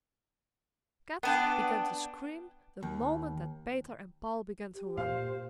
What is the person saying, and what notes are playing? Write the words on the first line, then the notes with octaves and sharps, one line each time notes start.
Kat began to scream the moment that Peter and Paul began to run.
B3 D4 F#5 G5
D#2
G4
A#2 C5 F5